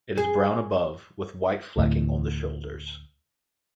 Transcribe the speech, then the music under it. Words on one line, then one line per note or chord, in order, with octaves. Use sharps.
It is brown above, with white flecking on the shoulders.
G#4
D2 A2